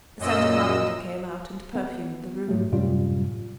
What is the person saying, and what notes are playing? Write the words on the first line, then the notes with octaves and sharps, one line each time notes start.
The scent of lavender came out and perfumed the room.
F#2 A#2 D#5 E6
B3
G#2 F#3 A3
F#2 A2 C3 G3 F4